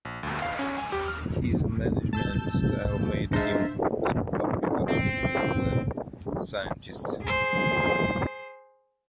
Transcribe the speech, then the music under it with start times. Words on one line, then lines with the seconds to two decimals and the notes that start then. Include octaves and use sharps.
His management style made him unpopular with lab scientists.
0.05 A#1
0.23 D2
0.42 F5
0.59 C#4
0.78 G#5
0.92 G4
1.08 F6
2.13 A5 E6 G6
3.33 G#3 D4 D#4 F4 C5 E5
4.88 C4
7.22 G#4 C5